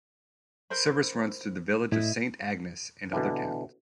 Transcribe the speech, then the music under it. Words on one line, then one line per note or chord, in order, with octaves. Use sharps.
Service runs through the village of Saint Agnes and other towns.
A#4 C5 B5
A2 E4 D#5
B2 D3 E3 D4